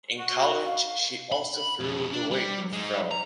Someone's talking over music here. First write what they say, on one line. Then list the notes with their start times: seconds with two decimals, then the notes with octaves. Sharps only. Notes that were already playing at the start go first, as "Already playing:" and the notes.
In college she also threw the weight throw.
0.18 F#4
0.66 F5
1.32 B5
1.80 F2 B2
2.13 D4
2.31 G3
2.73 G#3 D#4
3.11 A#5